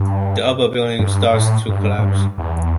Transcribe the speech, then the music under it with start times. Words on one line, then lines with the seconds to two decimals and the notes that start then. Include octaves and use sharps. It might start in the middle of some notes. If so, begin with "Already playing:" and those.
The upper building starts to collapse.
Already playing: G2
0.99 G2
1.33 A2
1.68 G2
1.98 A2
2.03 G2
2.38 E2